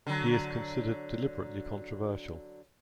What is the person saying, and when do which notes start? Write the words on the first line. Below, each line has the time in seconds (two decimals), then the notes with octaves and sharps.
He is considered deliberately controversial.
0.07 D3 F#3